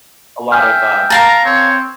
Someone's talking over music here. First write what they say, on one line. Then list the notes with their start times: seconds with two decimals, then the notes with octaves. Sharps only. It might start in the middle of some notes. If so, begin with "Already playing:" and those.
a lot of uh,
0.52 E5 G5 G#5 F6
1.10 A#4 F5 A5 A#5
1.45 C4 C#5